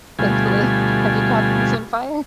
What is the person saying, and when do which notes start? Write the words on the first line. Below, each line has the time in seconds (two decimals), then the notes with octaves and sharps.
thankfully. Have you caught things on fire?
0.19 D2 B2 G3 A3 F4 G#5